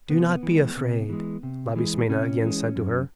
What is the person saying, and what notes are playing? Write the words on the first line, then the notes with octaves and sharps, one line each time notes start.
"Do not be afraid," Labismena again said to her.
C3 B3
E3 G#3
C3
E3 G#3
C3
E3 G#3
C3 C#4
E3 G#3
F#2